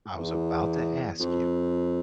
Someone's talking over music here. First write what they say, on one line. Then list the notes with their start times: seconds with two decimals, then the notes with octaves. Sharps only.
I was about to ask you.
0.19 E2
1.20 F2